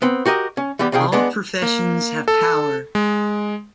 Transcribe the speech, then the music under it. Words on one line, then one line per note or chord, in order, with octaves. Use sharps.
All professions have power.
B3 C4
F#4 G4 A#4 D#5
C#4
E3 G3 B3 G4
C2 C3 F3 G#4 G5
G#3 B3 D4
A#3
A4
G#3